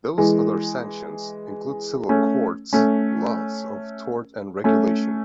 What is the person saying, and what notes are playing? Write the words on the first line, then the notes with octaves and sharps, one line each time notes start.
Those other sanctions include civil courts, laws of tort and regulation.
E3 G#3
A3 C#4
A3 C#4
A3 C#4